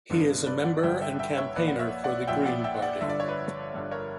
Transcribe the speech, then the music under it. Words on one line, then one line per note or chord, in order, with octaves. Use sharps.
He is a member and campaigner for The Green Party.
G1 G2 D3 B3 D4
B4 D5
D5 F#5
G1 G2 D3 E5 G5
E5 G5
E5 G5
C#5 E5
A#1 A#2 B4 D5
F#5
C#5 E5
D5 F#5
A#1 A#2 E5 G5
D5 F#5
E5 G5
D5 F#5
G1 G2 D3 E5
D5
C#5
B4 D5
G1 G2 D3
A#4 C#5